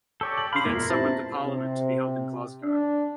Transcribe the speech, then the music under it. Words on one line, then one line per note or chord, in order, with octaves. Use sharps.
He then summoned a Parliament to be held in Glasgow.
G4 A4 C#5 D5
F#7
F5 B5 C6
E1 A#2 E4 A#5
C4 E4 G4 A5
C3
D4